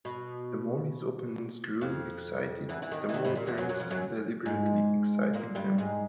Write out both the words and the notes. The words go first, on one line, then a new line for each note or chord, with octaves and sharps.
The more his opponents grew excited, the more Ernest deliberately excited them.
B2
F2 F3
E2 E3
E3
D#2 D#3
E3
D#2 D#3
A2
A#2
E2 E3
F#2 F#3
F#2 F#3
F2 F3
F#2 F#3
G#2 G#3
A#2 A#3
G2 G3
G#2 G#3